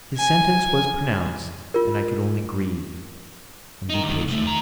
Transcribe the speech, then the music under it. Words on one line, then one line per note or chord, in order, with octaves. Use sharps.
His sentence was pronounced, and I could only grieve and be patient.
G#5
F4 A#4
D#4 A#4
D2 D#3
C2 A3
D#3 A#5